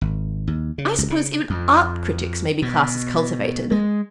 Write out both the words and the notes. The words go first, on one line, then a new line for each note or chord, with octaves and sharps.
I suppose even art-critics may be classed as cultivated.
G#1
D#2
C#3
C#2
C#3
F2
B2
G#3